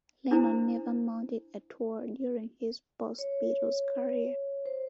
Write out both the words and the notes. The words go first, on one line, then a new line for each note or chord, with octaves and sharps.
Lennon never mounted a tour during his post-Beatles career.
D4 E4 C5 A#5
C#5
C5